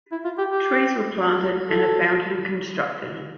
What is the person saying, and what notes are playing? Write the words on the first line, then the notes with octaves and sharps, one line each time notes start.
Trees were planted, and a fountain constructed.
E4
F4
G4
G4
A4